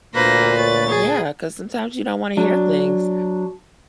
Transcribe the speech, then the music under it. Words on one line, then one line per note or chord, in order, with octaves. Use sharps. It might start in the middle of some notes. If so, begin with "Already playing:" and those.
Yeah, 'cause sometimes you don't wanna hear things.
D2 A#2 A#3 B4 C5 A#6
C#5 A6
G#4
F#3 D4